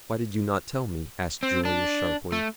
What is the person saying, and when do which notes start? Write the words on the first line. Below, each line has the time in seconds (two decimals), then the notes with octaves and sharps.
"Why did you not tell me?" asked Julius, sharply.
1.43 C4
1.65 D4
2.32 A3